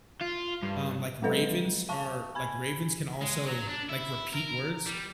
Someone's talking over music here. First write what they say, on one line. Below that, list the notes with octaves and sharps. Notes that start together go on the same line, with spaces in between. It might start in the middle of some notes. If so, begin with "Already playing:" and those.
um, like, ravens are like, ravens can also, like, repeat words?
F4
G2
F#3 G#3 C4 A4 B4 D#5
F5 A5 C#6
G#5 B5 G#6
G#3
F#3
D4
E4
A#4
G3